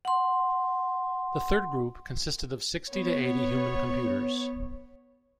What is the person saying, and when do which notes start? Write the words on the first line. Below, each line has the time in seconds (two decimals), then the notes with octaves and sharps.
The third group consisted of sixty to eighty human computers.
0.05 F#5 C6
2.90 B3 C#5